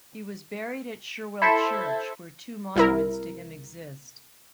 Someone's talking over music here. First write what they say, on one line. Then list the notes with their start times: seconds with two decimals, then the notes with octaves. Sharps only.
He was buried at Shirwell Church, where two monuments to him exist.
1.42 E4 A4 C5 E5
2.76 C2 E4 A#4